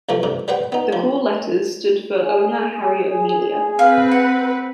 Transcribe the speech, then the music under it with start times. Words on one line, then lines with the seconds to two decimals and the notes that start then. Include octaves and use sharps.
The call letters stood for owner Harry O'Melia.
0.09 C2 E3 F3 A3
0.23 G2 C3
0.48 G3 B4 C5 F#5 G5
0.72 B3 D#4
0.93 F3
2.19 G#4
3.79 C4 B4 F5
4.11 F#5